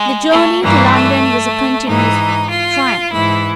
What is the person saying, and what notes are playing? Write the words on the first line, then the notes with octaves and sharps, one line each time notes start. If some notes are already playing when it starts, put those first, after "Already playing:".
The journey to London was a continued triumph.
Already playing: G#3
A3
G2 E3 A#3
A3
G#2 E3 D#4
F4
G#2 E3 E4